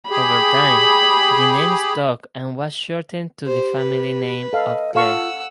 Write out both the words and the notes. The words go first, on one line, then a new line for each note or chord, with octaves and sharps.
Over time, the name stuck and was shortened to the family name of Clair.
G4 G#4 B5
G4 C5
B4
A4 D#5 F5
F4 A4 F5 F#5 C#6 E6